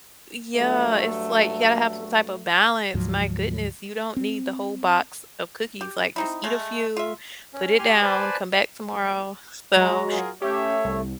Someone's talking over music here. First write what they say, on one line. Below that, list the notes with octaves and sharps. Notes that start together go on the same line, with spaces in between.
yeah, it's like, you gotta have some type of balance, my goodness, you don't need the whole box of cookies, like, just eat a few, put it down, come back tomorrow, so
G2 F#3 A3
D2 G#2 F3 F#3
C4
G4
C4 D#4 E4
G#3 A3
F4 E5
C#4
G4 G#5 C6 F6
B4 C5 D5 G#5 A5 B5
F#3 G#3 F#4 A#5
F4 G#4 A#4
A3 C#4 G4 C#5 E5
C2